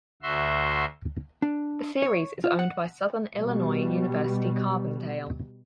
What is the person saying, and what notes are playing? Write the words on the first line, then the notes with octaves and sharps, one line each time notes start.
The series is owned by Southern Illinois University Carbondale.
D2 F#4 E5 C6
D4
C#5
F4
F#5
B2 G3